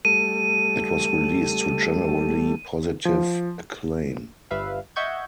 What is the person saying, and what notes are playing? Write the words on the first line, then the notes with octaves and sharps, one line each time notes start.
It was released to generally positive acclaim.
G3 A3 A4 D#7
F3
G1 G3 B4 E5 F5
D#5 E5 F#5 C#6 G6 G#6